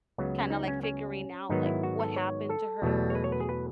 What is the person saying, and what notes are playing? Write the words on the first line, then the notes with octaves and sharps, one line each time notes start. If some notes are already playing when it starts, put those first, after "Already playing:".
kind of, like, figuring out, like, what happened to her
C#2 C#3 F#3 B3
C#4
D#4
C#4
C#4
G#2 D#3 F#3 B3 D#4
E4
F#4
A4
C#5
A4
E2 B2 F#3 A3
C#5
B4
C#5
B4
G#4
B4